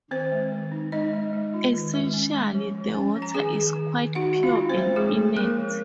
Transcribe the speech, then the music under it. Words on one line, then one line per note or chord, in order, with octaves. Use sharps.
Essentially, the water is quite pure and inert.
D#3 C4 C5
G#3
D#3
D#4
G#3 D#4 D#5
G#3
G#3
F4
D#3
G#3
C#4
G#3
F3
F3
C#4
F3
A#5
D#3 G#4 G#5
D#3
D#3
D#3
D#4 F#4 F#5
G#3
F4 F5
D#4
C4 C5
G#3
F3 G#3 G#4
C4
F3 A#3 A#4
F3